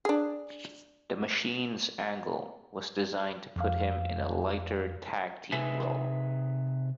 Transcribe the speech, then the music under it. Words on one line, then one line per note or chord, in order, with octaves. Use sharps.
"The Machines" angle was designed to put him in a lighter tag-team role.
D4 G#4
F2 F5
C3 D#4 G#4 B4 E5 G#5